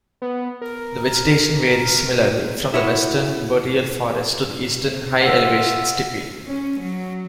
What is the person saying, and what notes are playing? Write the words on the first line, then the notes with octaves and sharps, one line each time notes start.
The vegetation varies similarly, from the western boreal forest, to the eastern high-elevation steppe.
B3
A#4
E4 F#4 C#5
F4 E5 F#5
C#4
F#3